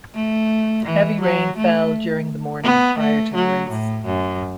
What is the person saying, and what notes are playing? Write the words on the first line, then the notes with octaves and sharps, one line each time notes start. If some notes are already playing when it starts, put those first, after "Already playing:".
Heavy rain fell during the morning prior to the race.
A3
E3
F#3
A3
B3
A3
F#3
A2
F#2